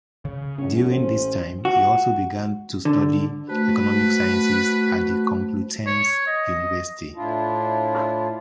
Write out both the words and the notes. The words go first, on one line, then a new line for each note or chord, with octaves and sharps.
During this time he also began to study economic sciences at the Complutense University.
C#3
A#1 F#2 C#4
A1 C5
F#4
D3
A3 F#4 B4 C5 A5
C#5
D#5
A2 D4 E4 F4